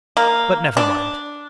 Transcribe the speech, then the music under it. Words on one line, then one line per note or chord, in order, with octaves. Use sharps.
But never mind!
A#3
D4